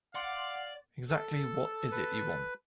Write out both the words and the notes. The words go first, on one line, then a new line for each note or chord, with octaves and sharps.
Exactly what is it you want?
D5 F5 F#5 C6
A4
B4